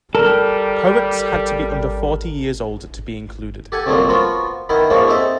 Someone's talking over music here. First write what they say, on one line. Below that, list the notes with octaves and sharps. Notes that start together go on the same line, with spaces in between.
Poets had to be under forty years old to be included.
G3 A4 A#4
G4 A4 F#5 G#5
C2 F2 D3 F#3 A#3 C4
F3 B3 F4 F#4 A#4
D#3 B3 D#4 E4 A#4
G#2 E3 F3 A#3 C#4 D5
C4 A4 D#5 E5